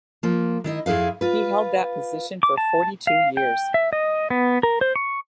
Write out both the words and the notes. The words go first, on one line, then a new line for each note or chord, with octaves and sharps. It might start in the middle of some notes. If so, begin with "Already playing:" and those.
He held that position for forty-two years.
F3 A#3
D#3 E4 D#5
F2 E4 G#4 B4 F5
F4 B4
D6
A5
F5
G5
E5
D#5
B3
A#4
C5
C#6